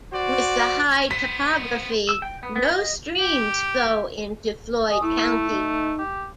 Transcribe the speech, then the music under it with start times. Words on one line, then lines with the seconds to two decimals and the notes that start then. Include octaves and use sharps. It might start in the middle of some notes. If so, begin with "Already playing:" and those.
With the high topography, no streams flow into Floyd County.
0.12 F#4 C5 D5
1.11 B3 C5 B6
2.09 E6
2.22 G5
2.43 B3
2.56 B3
2.71 D#5
3.17 G4
4.90 D#5 G#5 D#6
5.02 A3 E4
5.50 D#4
5.99 G4